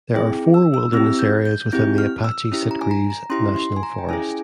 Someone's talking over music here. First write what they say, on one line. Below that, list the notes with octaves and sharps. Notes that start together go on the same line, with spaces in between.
There are four wilderness areas within Apache-Sitgreaves National Forest.
C4 E4 G#4 G5
E6
E6
C4 E4 G4 E6
G6
G6
C4 E4 G4 G6
F6
E6
C#4 E4 G4
A#5
G#5
A#5
A#5
C#4 E4 G4 C6
C6
G#5
A#5
G5
C#4 E4 G#4 G#5